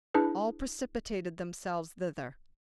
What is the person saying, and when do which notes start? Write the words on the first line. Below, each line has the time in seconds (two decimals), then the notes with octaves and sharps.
All precipitated themselves thither.
0.14 D4 E4 G#4 B4